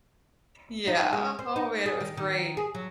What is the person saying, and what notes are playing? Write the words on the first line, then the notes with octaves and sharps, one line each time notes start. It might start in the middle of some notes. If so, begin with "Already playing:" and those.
Yeah. Oh, man, it was great.
D#4
G#3
C5
D#4
G#4
D#3
D#3
G#4
F#3